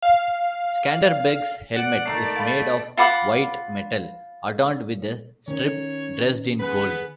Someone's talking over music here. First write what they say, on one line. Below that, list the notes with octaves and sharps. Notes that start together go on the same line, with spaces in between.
Skanderbeg's helmet is made of white metal, adorned with a strip dressed in gold.
F5
D5 F#5
G#1 A3 A#5 C7
F5 G5 B5
F4 F#5 B5 D6
D#3 C#4 C#5
B3 G#4 B4